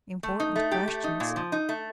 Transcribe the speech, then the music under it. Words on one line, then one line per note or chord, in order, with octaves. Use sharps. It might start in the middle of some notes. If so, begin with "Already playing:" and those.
Important questions!
A3
D#4
A3
G4
A3
D#4
A#2
F3
D#4
A3